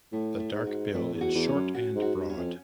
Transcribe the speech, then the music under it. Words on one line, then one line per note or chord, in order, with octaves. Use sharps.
The dark bill is short and broad.
A2 A3
A3
G#2
F#4
F2 A3
E2
F#4
E2
C#4
F#2
F#4
G#2
F#4
G2
C#4
F2